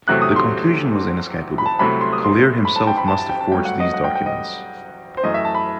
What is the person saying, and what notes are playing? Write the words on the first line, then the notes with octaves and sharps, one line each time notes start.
The conclusion was inescapable-Collier himself must have forged these documents.
E2 C3 F#3 A3 F#6
D#6
C6
B5
A5
C2 C3 F#3 A3 B5
C6
D#6
C6
B5
A5
G5
B5
A5
A5
G5
A5
G2 F#3 A3 G5
F#5
D#5
F#5
G5
G5
D#5
C5
F#2 E3 A3 D#5
E5
A5
B5